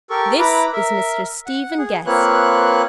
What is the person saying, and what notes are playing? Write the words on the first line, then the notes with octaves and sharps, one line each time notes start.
"This is Mr. Stephen Guest."
G4 A4 A#4 C#6
E4 B4 A#5 B5 D6
A#4 E5
F#5
G#4
A#3 C4 F4 B4 C#5 F#6